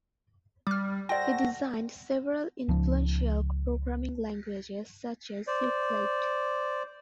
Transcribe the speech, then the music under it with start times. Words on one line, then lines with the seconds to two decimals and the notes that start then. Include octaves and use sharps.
He designed several influential programming languages such as Euclid.
0.67 G3 D6 F6
1.09 F#4 A4 C5 D5 G5 A#6
2.69 C#2 F3
5.47 C5 D5